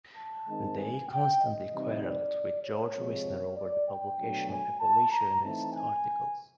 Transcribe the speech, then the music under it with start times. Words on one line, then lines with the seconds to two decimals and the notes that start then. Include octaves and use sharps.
Day constantly quarreled with George Wisner over the publication of abolitionist articles.
0.16 A5
0.47 D#3 G#3 C4 D#4
0.79 G#5
1.09 G5
1.41 D#5
1.72 C3 E3 G3 C4 D#4
2.03 D5
2.64 C#5
2.96 C3 F3 G#3 C4
3.58 D5
3.88 G5
4.19 B2 F#3 A3 D4
4.49 G#5
4.81 A5
5.12 A#5
5.43 E3 A3 C4 D#4 A5
5.73 G#5